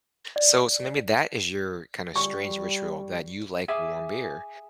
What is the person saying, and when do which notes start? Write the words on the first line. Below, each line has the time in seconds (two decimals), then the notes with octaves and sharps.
So, it's gonna be that is your, kinda strange, ritual that you like warm beer,
0.36 D5
2.16 G3 C#6
3.68 G#4 E5 G#5 D6